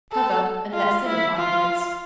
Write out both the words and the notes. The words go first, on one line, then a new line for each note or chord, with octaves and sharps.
Cover and let simmer five minutes.
A4
F4
E4
F4